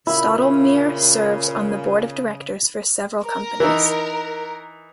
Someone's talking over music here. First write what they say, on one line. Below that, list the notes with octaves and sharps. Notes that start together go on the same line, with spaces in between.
Stottlemyre serves on the board of directors for several companies.
A#2 C#3 E4 B5
A#4
E3 D#4